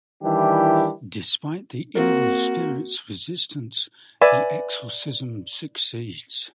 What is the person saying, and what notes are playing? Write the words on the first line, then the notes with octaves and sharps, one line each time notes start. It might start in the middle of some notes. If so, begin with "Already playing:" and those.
Despite the evil spirit's resistance, the exorcism succeeds.
D#3 E3 G3 D4 E4 G4
A#3 C4 F#4 A#4
B4 D5 E5 G#5